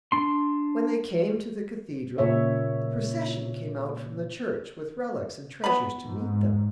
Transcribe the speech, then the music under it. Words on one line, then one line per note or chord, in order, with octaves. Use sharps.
When they came to the cathedral, the procession came out from the church with relics and treasures to meet them.
D4 C6
A#2 C#3 C#5 E5
B3 B5
G#2